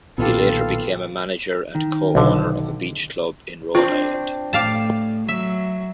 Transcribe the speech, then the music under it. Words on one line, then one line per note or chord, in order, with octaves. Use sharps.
He later became a manager and co-owner of a beach club in Rhode Island.
B1 A#2 D#3 B3 F4 G4 A4 F5
D#3
B1 D3
C4 D4 F4
A2 G4 F5 A5
F#3 E5